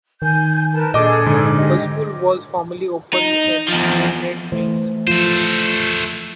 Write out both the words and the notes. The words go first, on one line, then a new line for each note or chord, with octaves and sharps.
A school was formerly opened in Woodland Mills.
D#3 G#5 G6
A#4 B4 A5
A#2 D4 G#4 A4 D#5 D6
G#2 D3
G4 D#5
D#4
E2 F3
E3 A3 C5
F3 A3 F4 C5